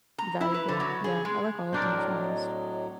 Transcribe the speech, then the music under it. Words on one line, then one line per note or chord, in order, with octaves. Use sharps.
valuable. Yeah, I like all of them, if I'm honest.
A#5
E4
B4
D3
F#3
G#4
G#3
A2 F#3 C4 D4 A#4 D#5